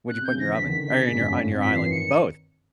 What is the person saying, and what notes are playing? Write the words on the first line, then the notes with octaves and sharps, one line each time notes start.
What'd you put in your oven or in your on your island? Both,
B2 F#6
C3
C#3 G6
E3 A#6
D3
B6
D3
D#3 B6
D3
B6
C#3
B2
G#2
F#2
G2
A2
C3
F3 B6
E3
C7
D#3
C#7